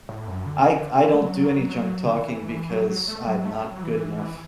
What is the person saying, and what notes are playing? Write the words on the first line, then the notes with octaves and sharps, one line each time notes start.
I I don't do any junk-talking, because I'm not good enough.
A2
F#2
D3
E3
A3
F#3
F#3
F#3
D3
E3
F#3
F#3
A3
F#3
A3
F#3
E3